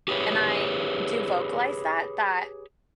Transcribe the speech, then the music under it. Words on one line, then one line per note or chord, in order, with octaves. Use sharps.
and I do vocalize that, that,
G4 G#4 B4 C#5